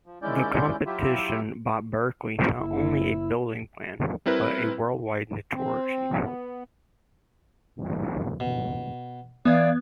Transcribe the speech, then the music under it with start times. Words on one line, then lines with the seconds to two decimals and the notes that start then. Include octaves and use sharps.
The competition brought Berkeley not only a building plan but worldwide notoriety.
0.06 F3
0.22 D#2 G#3 C#4 E4 D5 G6
0.86 F#3 E4 F4 G4 E5
2.58 F#1 E4
4.26 G3 C4 E4 A#4 B4
5.53 C4
6.22 B3
8.40 B2
9.45 E3 B3 D5 F5 D#6 G#6